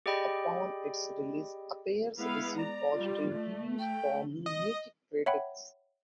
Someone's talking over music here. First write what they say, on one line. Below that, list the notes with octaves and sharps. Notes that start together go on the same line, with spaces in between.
Upon its release, "Appears" received positive reviews from music critics.
G4 G#4 D5 D#5 G5 B5
G#3 B3 E4 F5
D5 A#5
G3 F4
A3
G5
D#5
C#5 E5 F#5 G5 B5